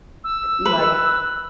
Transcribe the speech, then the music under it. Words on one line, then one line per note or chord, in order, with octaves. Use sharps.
i like
E6
B4